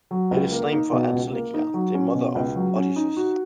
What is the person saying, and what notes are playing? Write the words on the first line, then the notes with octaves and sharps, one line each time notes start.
It is named for Anticlea the mother of Odysseus.
F#3
C#2
A#3
D#4
B2
C#2
A#3
D#4
F#3
C#4
B2
C#2
F#3
C#4
D#4
F#4